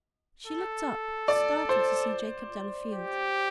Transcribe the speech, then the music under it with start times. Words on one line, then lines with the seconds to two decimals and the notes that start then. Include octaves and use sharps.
She looked up, startled, to see Jacob Delafield.
0.47 A4
1.28 D5
1.69 C5
2.92 G4